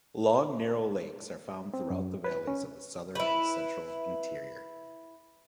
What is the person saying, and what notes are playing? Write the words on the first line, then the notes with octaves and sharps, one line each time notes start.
Long, narrow lakes are found throughout the valleys of the Southern and Central Interior.
C4
F#2
B4
C#4
E4 B4